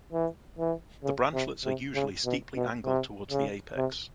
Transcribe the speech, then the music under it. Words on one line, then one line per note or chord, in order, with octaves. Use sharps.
The branchlets are usually steeply angled towards the apex.
E3
E3
C#3
C3
C3
C#3
B2
B2
C3
C#3
C3